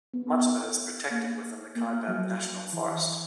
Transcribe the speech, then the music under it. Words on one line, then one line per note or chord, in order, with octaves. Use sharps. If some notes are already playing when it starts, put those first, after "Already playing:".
Much of it is protected within the Kaibab National Forest.
B3
A#3
A#3
F#3
E3